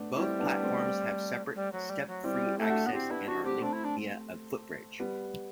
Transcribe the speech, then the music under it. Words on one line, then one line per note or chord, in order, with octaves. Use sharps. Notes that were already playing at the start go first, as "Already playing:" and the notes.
Both platforms have separate step-free access and are linked via a footbridge.
Already playing: A3 B3 D4
G3 C4 E4
B3 D4
A3 C4
G3
F#3
G3
F#3
G3 C4 E4
E4 G4
A3
D4 F#4
B3
C4 E4 G4
B3 D4 E4
B3 D4 F#4
A3 C4 G4
A3 C4 D4
E4
D4
G3 B3